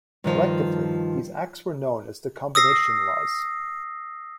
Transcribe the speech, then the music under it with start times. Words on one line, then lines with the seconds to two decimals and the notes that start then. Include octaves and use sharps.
Collectively these acts were known as the Combination Laws.
0.24 G2 D#3 F3
2.55 D#6 E6 A#6 C7